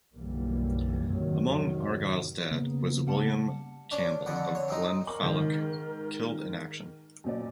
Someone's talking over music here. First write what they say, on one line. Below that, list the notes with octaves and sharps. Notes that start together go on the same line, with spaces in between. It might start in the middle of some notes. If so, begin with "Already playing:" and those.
Among Argyll's dead was William Campbell of Glenfalloch killed in action.
B1 F#2 D3 E3 G3 A#3
F2 G#2 C3 D#3 F#3
C#3 A#3 B3
G3 F#5 A5
C#4 D4
F2 D3 F#5
C#5
C4 D#4
A#4 C6 C#6 F#7
G#2 D#3
F#2 A#2 D5